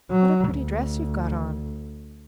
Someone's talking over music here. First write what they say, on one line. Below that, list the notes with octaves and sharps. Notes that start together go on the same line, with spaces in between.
"What a pretty dress you've got on!"
F#3
D2